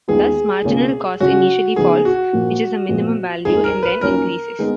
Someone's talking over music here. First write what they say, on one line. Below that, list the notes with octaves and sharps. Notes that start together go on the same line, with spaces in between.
Thus marginal cost initially falls, reaches a minimum value and then increases.
D#2 D#3 G#3 B3 F4 G#4
C#2 B2 A#3 C#4 F4
C#3 F#3 C#4 F4 F#4
C#3 F3 B3 D#4 G#4
F#4
A#2 F3 A#3
A#2 F3 B3
F2 F3 G#3 D#4 G#4
A#4
B4
F#2 D#3 A#3 C#4 F4 A#4
D#3 G#3 B3 D#4